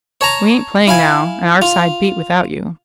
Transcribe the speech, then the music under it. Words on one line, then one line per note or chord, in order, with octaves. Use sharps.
"We ain't playing now, and our side beat without you."
C#5 A5 A#5
E4 F5 G#5
F4